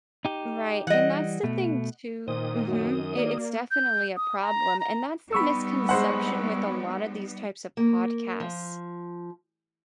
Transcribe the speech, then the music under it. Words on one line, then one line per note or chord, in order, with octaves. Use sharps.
Right, and that's the thing too Mhm. I it's definitely a problem and that's the misconception with a lot of these types of podcasts.
D#4 G4
E3 G3 D#5 F#5
B2 A3
A#2 D#3 C5 D#6
F#2 F#4
A#3 D5
G6
D#6
A#5
A#5
G3 B3 D#4 B5 C#6 E6
G#3 C5 F#5
A#3
F3